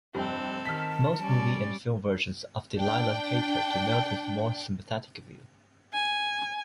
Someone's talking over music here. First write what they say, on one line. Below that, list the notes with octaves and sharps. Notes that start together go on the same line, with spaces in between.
Most movie and film versions of Delilah cater to Milton's more sympathetic view.
F1 G2 C4 A4 G5
D#3 A5 F6 B6
G3 C#4 D5
D4 G5
G#5